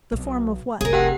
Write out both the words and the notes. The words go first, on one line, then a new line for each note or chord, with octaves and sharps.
The form of what?
B1
F1 C2 G#4 A#4
G4 F#5 G5